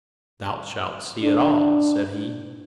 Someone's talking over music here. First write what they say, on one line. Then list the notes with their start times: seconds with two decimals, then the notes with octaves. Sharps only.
"Thou shalt see it all," said he.
1.24 D4